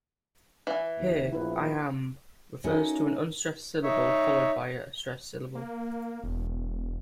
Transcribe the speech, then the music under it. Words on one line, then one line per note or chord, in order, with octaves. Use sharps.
Here, "iamb" refers to an unstressed syllable followed by a stressed syllable.
E3 G#5
D#2
A#1 E4 B4
C#4 D#4 E4 F#4 A4 C#5
D#4 C#5 E5
A#3
E1